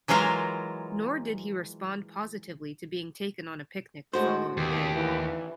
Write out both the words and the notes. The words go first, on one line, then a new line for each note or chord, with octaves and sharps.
Nor did he respond positively to being taken on a picnic the following day.
E3 F#3 G#3 F4 A#4
A2 G#3 F#4 C5
D#2 B2
E3